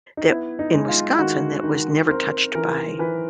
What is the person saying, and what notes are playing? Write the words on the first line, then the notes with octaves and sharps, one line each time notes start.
that in Wisconsin that was never touched by,
D#4
B3 E4
D#4
G#3
F4
D#3 F#4
D#3
C4 A#4
E3 A#4
E3 B4